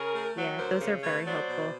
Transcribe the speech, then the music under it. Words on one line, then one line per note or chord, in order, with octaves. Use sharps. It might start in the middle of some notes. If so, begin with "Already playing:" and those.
Yeah. Those are very helpful,
Already playing: C#3 G#4 A#4
A3
F#3
D2 A#4 C5
C#3
A3 B4 C#5
F#3 C5 D5
B2